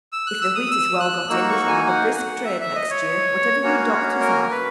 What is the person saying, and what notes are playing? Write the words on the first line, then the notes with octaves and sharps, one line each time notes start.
If the wheat is well got in, we shall have a brisk trade next year, whatever you doctors have.'
E6
F#6
E6
D#6
E6
F#6
A#3 D#4 F#4 E6
C#6
G#5
F#5
G#5
F#5
E5
E5
D#5
C#5
A#3 C#4 F#4
A#4
B4